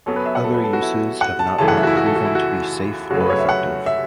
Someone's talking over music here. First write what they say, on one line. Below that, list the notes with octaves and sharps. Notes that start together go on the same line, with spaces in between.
Other uses have not been proven to be safe or effective.
F#2 F#3 B3 A4
B4
E5
F#5
A4
B4
A4
F#4
E4
F#5
A5
F#2 C#3 E3 A3 A5
F#5
E5
F#4
E4
F#4
A4
F#4
E4
F#4
F#2 C#3 F#3 A3 F#4
B4
C#5
E5
F#5
E5